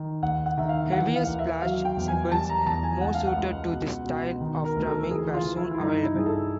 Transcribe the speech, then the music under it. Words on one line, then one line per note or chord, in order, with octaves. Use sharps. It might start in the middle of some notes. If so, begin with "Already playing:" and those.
Heavier splash cymbals, more suited to this style of drumming, were soon available.
Already playing: D#3
D#2 F#5
F#5
D#3 E5
F5
E3 F#5
F5
D#2
E5
F#3 F5
G5
E2
G#5
G3 A5
A#5
E2 A5
G#5
C#2 F#5
F5
F#5
C#2
B2
B2
D#3
A#4
D2
A#4
A4
E3 G#4
F4
E3
E4
E4
G2 D#4
E4
G2 G#4
A4